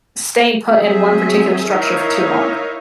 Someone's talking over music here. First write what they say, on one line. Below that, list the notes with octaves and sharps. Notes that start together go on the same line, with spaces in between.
staying put in one particular structure for too long?
F#3 C4 G#4 E5
D#4 E4 A#4 C#5 E5 F5